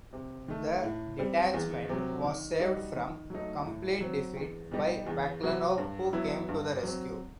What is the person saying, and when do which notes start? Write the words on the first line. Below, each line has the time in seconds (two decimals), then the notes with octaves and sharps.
The detachment was saved from complete defeat by Baklanov who came to the rescue.
0.13 C3
0.48 D#3 A3
0.83 A2
1.19 G3 C4
1.54 E2
1.89 C3 F#3
2.24 D#3
2.60 G3 D#4 F#4
2.95 D#3
3.30 F#3 A3 D#4
3.65 A2
4.01 F#3 C4
4.37 E2
4.71 B2 G3 D#4 G4
5.07 E2
5.42 C3 F#3 C4 F#4
5.77 G2
6.13 F#3 B3 E4
6.48 G2
6.83 F#3 C4